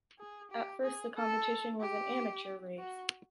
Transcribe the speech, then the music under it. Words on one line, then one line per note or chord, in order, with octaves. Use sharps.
At first the competition was an amateur race.
G#4
G4
G#4
A4
G4
F#4